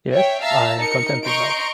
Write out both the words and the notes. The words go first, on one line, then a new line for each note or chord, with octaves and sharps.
Yes, I am contented now.
C#5 E5 G5
E5 F5 A5 A#5 E6
D#4 A#4 C#7
D#5 A#5 C6 C#6 G6 D7